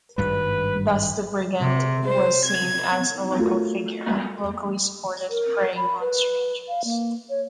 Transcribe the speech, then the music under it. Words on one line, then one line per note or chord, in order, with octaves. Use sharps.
Thus the brigand was seen as a local figure, locally supported, preying on strangers.
G#1 G2 G3 B4
C3
C5
G#6
A3 F4 F#4 A#4
A#4
B5
B4
F5
A#3
C#5